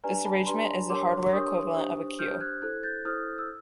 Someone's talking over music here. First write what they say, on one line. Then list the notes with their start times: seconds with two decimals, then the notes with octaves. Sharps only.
This arrangement is the hardware equivalent of a queue.
0.04 D4 G4 B4 D5 G#5 A#5
0.25 A5 B5
0.47 D4 G4 B4 D5 A#5 C6
0.90 D4 G4 A#4 C#5 C6 D6
1.33 D4 G4 A#4 C#5 C#6 D#6
1.76 D4 G4 C5
2.19 D4 G4 C5 F6 G6
2.40 F#6 G#6
2.62 E4 A4 C5 F#6 G#6
2.83 G6 A6
3.05 E4 A4 C5 D#6 F6
3.38 E6